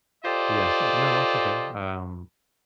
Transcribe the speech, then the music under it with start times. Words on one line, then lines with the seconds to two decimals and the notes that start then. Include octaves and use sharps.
Yes uh, no, no, it's okay. Um,
0.25 F4 G4 A4 C5 D5 D#5